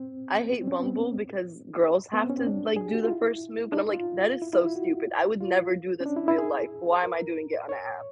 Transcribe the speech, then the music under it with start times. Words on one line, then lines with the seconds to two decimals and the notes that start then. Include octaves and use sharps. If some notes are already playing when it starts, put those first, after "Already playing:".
I hate Bumble because girls have to, like, do the first move, and, I'm like, "That is so stupid. I would never do this in real life. Why am I doing it on a app?"
Already playing: C4
0.46 C4
0.50 B3
0.61 C4
0.67 C#4
0.72 C4
0.82 B3
2.13 B3
2.21 C4
2.29 C#4
2.38 C4
2.47 D4
2.76 G#4
2.85 G4
2.94 F#4
3.03 F4
3.11 E4
3.72 D4
3.77 D#4
3.94 F4
4.42 E4
4.53 E4
4.64 F4
4.76 F#4
5.41 F4
6.00 C#4
6.05 D4
6.16 E4
6.28 E4
6.38 G#4
7.03 A#4
7.69 C#5